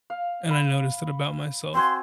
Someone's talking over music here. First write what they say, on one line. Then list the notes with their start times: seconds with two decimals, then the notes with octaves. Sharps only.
and I noticed that about myself.
0.10 F5
0.51 B5
1.74 C4 F#4 G#5 C6